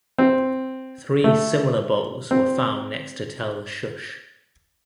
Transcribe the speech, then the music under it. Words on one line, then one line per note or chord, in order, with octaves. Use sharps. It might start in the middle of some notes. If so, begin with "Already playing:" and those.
Three similar bowls were found next to Tel Shush.
C4
A3
C4